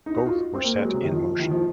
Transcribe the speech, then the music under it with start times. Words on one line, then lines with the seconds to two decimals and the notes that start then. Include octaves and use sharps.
Both were set in motion.
0.06 D#4
0.16 F#4
0.26 F4
0.54 C4
0.64 A#3
0.75 G#3
0.85 F#3
0.94 C3
1.03 D#3
1.13 F3
1.40 D#3
1.51 F3